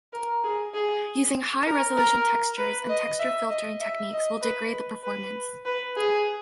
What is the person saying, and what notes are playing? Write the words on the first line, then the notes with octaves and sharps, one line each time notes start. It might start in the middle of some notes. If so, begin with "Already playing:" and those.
Using high resolution textures and texture filtering techniques will degrade the performance.
A#4
G#4
G#4
A#4
A#4
B4
D#5
E5
D#5
E5
D#5
B4
B4
B4
G#4